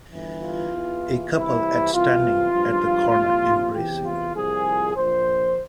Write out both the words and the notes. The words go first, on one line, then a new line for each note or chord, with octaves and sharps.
A couple at standing at the corner embracing.
G1 G2 E3
F4
E2 E3
C2 C3 E3 E4
C2 C3 E3 F4
G#1 G2 F3
C2 A#2 F3
E2 C3 E3 G4
F4
C2 A#2 F3 G#4
A#1 A#2 F3 C5